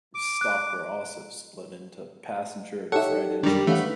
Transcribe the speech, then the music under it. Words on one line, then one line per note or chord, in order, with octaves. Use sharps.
Stock were also split into passenger and freight engines.
D6
F#6
D#4 G4 A4 C#5 E5 F#5
F#2 D#3 G3 D4 G4 A#4
C#2 D#3 E3 A3 C#4 F5 F#5
D#4 B4